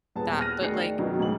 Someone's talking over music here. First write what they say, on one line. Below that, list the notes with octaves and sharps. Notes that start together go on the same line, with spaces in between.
that, but, like
D#1 B3 G#4 A5
F6 F#6 A#6 D#7
D2 D#3 G#4 D5 C7 C#7
F#2 B2 D#3 F#3
D2 G#2 G#4 F#7